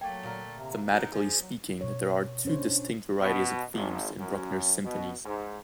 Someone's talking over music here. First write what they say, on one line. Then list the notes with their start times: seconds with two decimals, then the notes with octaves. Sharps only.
Thematically speaking, there are two distinct varieties of themes in Bruckner's symphonies.
0.01 F#3 A3 A#3 G5 G#5
0.23 A#2 D3 A#4
0.55 C3
0.92 D#3 F#4
1.12 F3 G#4
1.41 F#3
1.81 B2 C#5
2.45 C#4 D4 C5 C#5
3.21 B2
3.73 G#1
4.19 F#2
4.85 B2
5.25 G#2